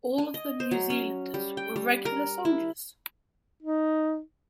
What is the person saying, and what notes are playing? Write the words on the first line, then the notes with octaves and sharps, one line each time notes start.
All of the New Zealanders were regular soldiers.
G#5
D#5
C5
F#3
C#4
G3
G5
G3
A#4
E4
D#4